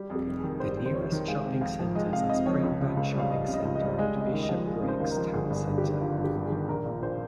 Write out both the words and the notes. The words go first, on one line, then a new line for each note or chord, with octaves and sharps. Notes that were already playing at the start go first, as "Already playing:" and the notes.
The nearest shopping centres are Springburn Shopping Centre and Bishopbriggs town centre.
Already playing: G3 G4
F2
G4
F1
D#3 G#4
G3 C5
F2
C5
F1 C#5
D#3
G#3 F5
C3
F2 F5
F3
G#3 D#5
C3 F5
F2 D#5
F3 C#5
C#2
C#3
C#2
G3
F5
C#2 D#5
C#3
D#5
C#2
D#5
G3
G#3 D#5
C#3
D#5
D#2
D#5
F3
G#3
C#3
C5
D#2
A#4
F3
G1 G#4
G2
G#4
G1
G4
D#3
G1 F4
G2
G4
G1
G#4
D#3
A#1 A#4
A#2
A#1 C5